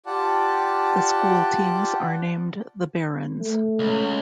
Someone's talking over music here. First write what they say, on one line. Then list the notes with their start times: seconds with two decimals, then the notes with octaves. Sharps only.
The school teams are named the Barons.
0.06 F4 G4 D5 F#5 A5
3.39 A3
3.79 C#2